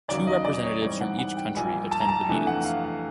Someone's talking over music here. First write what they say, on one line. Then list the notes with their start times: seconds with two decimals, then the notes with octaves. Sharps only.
Two representatives from each country attend the meetings.
0.08 D#2 C#3 F#3 D5
0.27 D#5
0.45 D5
0.63 C#5
0.82 G#2 E3 G3 C4 D5
1.01 F#5
1.19 F#5
1.37 G5
1.55 A#1 A#2 G3 G#5
1.91 A5
2.00 A#5
2.09 A5
2.29 F2 C3 E3 A3 D4 G#5
2.47 F#5
2.65 F5
2.84 F5